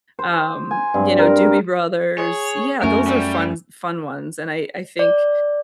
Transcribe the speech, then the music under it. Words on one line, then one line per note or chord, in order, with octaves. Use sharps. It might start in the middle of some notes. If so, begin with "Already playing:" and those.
um, you know, Doobie Brothers, yeah, those are funs fun ones, and I I think,
C5
G#5
G2 C4
A#4
G#4 C#5
F#2 A3 F#4 A#4 G#5
G3
D5